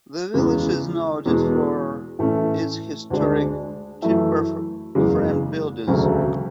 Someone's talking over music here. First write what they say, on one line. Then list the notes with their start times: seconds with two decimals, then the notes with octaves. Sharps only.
The village is noted for its historic timber-framed buildings.
0.34 E2 C#3 G#3
1.26 E2 B2 G#3
2.19 A2 E3 A3 C#4
3.10 D2 D3 G#3 D4
4.02 F#2 E3 A3 E4
4.95 F#1 E2 C#3 G#3
5.87 E1 D2 C#3 F#3 A3